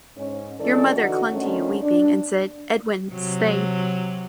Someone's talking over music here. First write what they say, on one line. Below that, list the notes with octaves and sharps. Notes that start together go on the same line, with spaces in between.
Your mother clung to you weeping, and said, 'Edwin, stay!'
G#2 C#4
E3 F3 G#3 C#4 A4 D5
D3 E3 D#4 F#4
F2 D3 D#3 A3 C#4
D4
C3 F#3